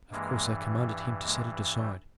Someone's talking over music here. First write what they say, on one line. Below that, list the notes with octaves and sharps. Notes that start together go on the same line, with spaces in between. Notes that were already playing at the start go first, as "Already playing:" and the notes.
Of course I commanded him to set it aside.
G2 E3 G#3 A#3
G#3 A#3
G3 A3